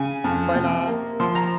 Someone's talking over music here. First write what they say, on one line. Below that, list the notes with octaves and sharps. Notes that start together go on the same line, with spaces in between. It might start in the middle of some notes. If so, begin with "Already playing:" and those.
Fight Lah!
Already playing: C#3 G#5
F2
C3
A#3
F3 C6
A#5